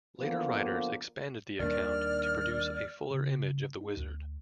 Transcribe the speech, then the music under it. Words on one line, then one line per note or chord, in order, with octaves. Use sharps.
Later writers expanded the account to produce a fuller image of the wizard.
D3 F3 A#3 B3
D#2 D#3 G3 A#3 D4 D5 F6
C#3
D#4
D2